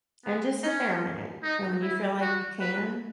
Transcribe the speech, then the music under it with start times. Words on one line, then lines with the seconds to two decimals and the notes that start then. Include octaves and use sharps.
and just sit there a minute, and when you feel like you can,
0.25 B3
0.64 C#4
1.43 D#4
1.82 E4
2.22 F#4
2.60 B4